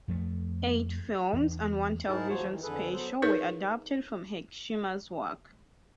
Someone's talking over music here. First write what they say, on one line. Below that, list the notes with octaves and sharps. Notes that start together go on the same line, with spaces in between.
Eight films and one television special were adapted from Hergesheimer's work.
F2 F3 A3
E2
G#2 D#4 E4 G#4 A#4 A5
D#2 F3 F#3 F#4 C5 C#5
D#3 E3
F2 D3 G#4 A4 B4
F#3 B3 A4 C5
D#4 G#4 A#4 B4 C#5